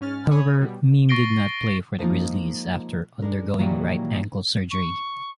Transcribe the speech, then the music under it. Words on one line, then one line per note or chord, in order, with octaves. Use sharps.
However, Mihm did not play for the Grizzlies after undergoing right ankle surgery.
G#2 C#4 F6 A6
C#5 G#5 B5 D#6
B2 G3
C#6 A6 A#6 C7 D7 G7
F3 G#3 A#3 D#4 F4
G#3 D4 A#4
A#2 D#3 E3 F#3 G3 A#3
C#6